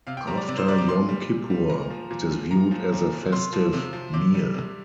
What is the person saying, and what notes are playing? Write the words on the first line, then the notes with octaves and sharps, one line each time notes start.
After Yom Kippur, it is viewed as a festive meal.
C3 F5
G5
G3 A#5
D5
C3 D5
C5
G3 D5
D6
A#2 C6
G3
A#2
G3
A#2 A#5
F3
A#2
F3
A#2 A#5
F3
A#2
F3
C3 C6
F3
C3
F3
C3 D6
G3
C3